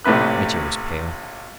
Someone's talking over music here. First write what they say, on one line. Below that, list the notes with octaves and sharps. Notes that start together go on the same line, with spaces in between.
Mitya was pale.
A#1 A2 C3 B4 F#6